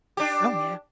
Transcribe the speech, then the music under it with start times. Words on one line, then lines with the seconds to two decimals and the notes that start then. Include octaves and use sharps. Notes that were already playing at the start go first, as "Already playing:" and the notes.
Oh, yeah.
0.17 D4 G4